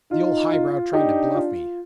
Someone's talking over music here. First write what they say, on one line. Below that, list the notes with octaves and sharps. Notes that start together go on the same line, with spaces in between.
'The old high-brow tried to bluff me.
D#4 F4
F4
D4 D#4 G4
F4